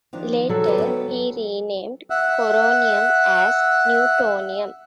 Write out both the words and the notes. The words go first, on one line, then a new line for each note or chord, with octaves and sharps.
Later he renamed coronium as newtonium.
D#3 F3 D4
F#3 A4
C#3 B4 D5
B3 D#5 G5
E5 F#5